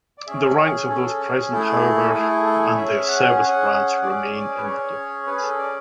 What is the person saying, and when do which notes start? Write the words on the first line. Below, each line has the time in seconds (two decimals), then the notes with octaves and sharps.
The ranks of those present, however, and their service branch remain in the documents.
0.18 D5
0.27 C#4 G#4 E5
0.59 G#4
0.89 C#4 G#4 A4
1.21 G#4
1.52 A3 E4 G#4 A4
2.14 A3 E4 G#4
2.30 A4
2.46 A4
2.61 G#4
2.77 C#4 G#4 E5
3.08 F#5
3.39 C#4 G#4
4.02 C#4 G#4 D5
4.33 D5
4.57 B4
4.64 C#4 G#4 C#5
5.27 C#4 G#4 B4
5.42 A4
5.58 D5